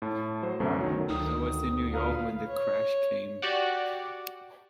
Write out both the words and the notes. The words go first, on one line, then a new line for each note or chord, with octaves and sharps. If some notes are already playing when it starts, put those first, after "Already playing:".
I was in New York when the crash came.
A2 A5
F#3 C5
C2 F#2 D3 A3 B3
D#3 F#3
D2 D#3 D#6
A#2 B4 F5 A#5
C#5
F#4 G4 D5 F#5